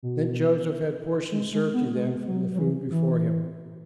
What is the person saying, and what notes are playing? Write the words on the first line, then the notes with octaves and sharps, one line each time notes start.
Then Joseph had portions served to them from the food before him.
B2
G#3
G#3
B3
G#3
F#3
F#3
E3
E3